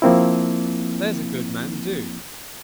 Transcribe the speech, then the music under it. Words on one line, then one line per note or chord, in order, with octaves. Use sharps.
'There's a good man, do.'
F3 A#3 C4 E4